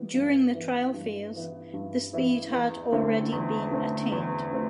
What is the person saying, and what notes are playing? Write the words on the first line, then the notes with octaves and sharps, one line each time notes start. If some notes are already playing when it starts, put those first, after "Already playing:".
During the trial phase, the speed had already been attained.
Already playing: E3 B3 E4
G2
E3 B3 E4
G2
E3 B3 E4
G2
E3 B3 E4
E2
D3 A3 C4 E4
E2
D3 A3 C4 E4
E2
D3 A3 C4 E4